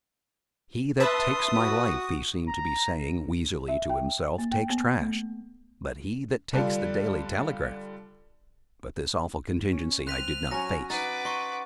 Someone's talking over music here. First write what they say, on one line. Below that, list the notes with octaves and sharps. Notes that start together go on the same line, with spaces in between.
"He that takes my life," he seemed to be saying, wheezily, to himself, "takes trash: But he that takes the Daily Telegraph--!" But this awful contingency I did not face.
B4 E5 A5 C6 D#6
F#4
A#5
E5
G5
A#3
G5
B3
A3
D3 G3 D4 F4
C#4
C4 F6 F#6 B6 D#7
F#3 C#4 G#5 A#6
D#4 B4 F#5 D6 A6
D#4 C6 C#6